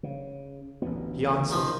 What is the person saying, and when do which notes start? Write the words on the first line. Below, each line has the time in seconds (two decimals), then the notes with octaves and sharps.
He answered.
0.03 C#3
0.82 A1 D2 B3
1.51 D#3 F3